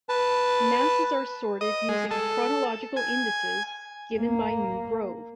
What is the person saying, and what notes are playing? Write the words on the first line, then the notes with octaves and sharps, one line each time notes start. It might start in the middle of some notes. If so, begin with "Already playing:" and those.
Masses are sorted using chronological indices given by New Grove.
B4 A5
D#5
G#3
A4
G#5
A#3